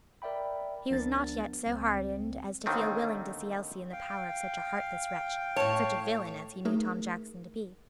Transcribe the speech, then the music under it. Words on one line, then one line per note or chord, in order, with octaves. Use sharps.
He was not yet so hardened as to feel willing to see Elsie in the power of such a heartless wretch, such a villain as he knew Tom Jackson to be.
A#4 D5 E5 G5 B5
C#2 F3 B3 D4 A#4 A6
C#2 G3 C4
D#2 D3 D#3 A3 C4
F5 G5
A2 C#5 A5
A3 D#4 G#4 A#4